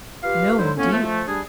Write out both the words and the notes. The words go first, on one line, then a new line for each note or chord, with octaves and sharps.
No, indeed!
F4 G4 B4 F5
D3 F#3 G#3 D#4 E4 C5
A2 A#3 B3 C#4
F3 A3
G3 D4 G#4